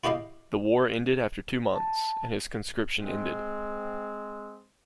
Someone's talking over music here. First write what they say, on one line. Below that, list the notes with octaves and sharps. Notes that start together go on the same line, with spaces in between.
The war ended after two months and his conscription ended.
E4 F#4 G4 D#5 F5
A5
G#3 C4